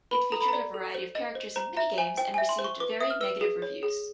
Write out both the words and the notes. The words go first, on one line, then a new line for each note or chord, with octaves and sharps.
It featured a variety of characters in mini-games and received very negative reviews.
B4 B5
A4 A#5
B5
D5 A#5
A4
C5
D#5
C5
C5 A#5
E5 A#5
C5 G#5
C5 G5
E5 G#5
C6
C5
C#6
B4 D6
E5 D#6
F6
B4 E6
G#4
C#5
G#4